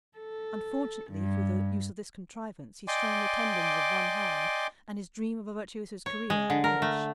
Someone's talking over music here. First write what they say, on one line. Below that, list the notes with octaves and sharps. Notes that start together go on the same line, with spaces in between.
Unfortunately, through the use of this contrivance he strained the tendons of one hand and his dream of a virtuoso's career vanished.
A4
G2
D5 D#5 G5 G#5 C6 D6
C#5
G#3
D3
A#4
A3